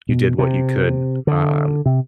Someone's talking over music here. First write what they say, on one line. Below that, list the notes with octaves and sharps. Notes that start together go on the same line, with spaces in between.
you did what you could, um,
B2
C3
D3
C3